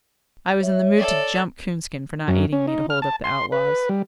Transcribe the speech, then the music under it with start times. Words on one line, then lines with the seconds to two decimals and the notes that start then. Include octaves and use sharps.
I was in the mood to "jump" Coonskin for not aiding me to hold up the outlaws.
0.60 C#5 E5
0.97 A4 D5
2.28 F#2
2.53 C#4
2.68 D#4
2.90 F6
3.02 A5
3.24 C6
3.52 B4
3.89 G3